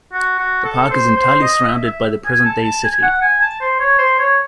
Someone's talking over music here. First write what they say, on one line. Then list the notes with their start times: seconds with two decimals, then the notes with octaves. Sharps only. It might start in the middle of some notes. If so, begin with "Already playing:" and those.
The park is entirely surrounded by the present-day city.
0.13 F#4
0.39 F#4
0.64 A4
0.91 C5
1.17 C5
1.42 D#5
1.68 E5
1.86 E5
2.25 G#5
2.45 A5
2.64 A5
2.84 G#5
3.03 F#5
3.22 G#5
3.41 A5
3.61 C5
3.80 C#5
3.98 C5
4.19 C#5